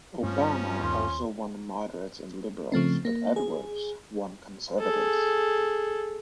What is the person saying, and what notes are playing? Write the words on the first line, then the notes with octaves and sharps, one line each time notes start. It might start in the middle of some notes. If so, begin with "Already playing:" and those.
Obama also won moderates and liberals but Edwards won conservatives.
G2 F3 G3 C4 C#4
D#2 C6
C#3 F3 A3 C4
A#3
G#4
G#4 A4